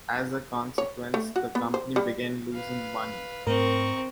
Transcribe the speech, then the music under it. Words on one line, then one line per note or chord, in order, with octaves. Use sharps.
As a consequence, the company began losing money.
C#5
A3
F#4
B3
C5
G3
B4 F5
G#2 A3 C4 A#4 D#5 C#6